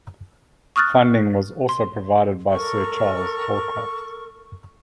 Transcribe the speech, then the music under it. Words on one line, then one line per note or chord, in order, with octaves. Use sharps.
Funding was also provided by Sir Charles Holcroft.
C#6 D#6 F6 F#6 A6
C6
A4 A#4 C#6